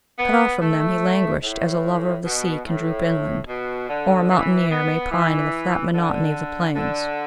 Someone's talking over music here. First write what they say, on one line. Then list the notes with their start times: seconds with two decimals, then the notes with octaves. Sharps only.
Cut off from them he languished as a lover of the sea can droop inland, or a mountaineer may pine in the flat monotony of the plains.
0.19 B3
0.60 A3
1.43 A2
2.24 B2
2.65 A2
3.47 B2
3.89 D3
4.30 E3
4.70 B3
5.11 E3
5.94 D3
6.75 D3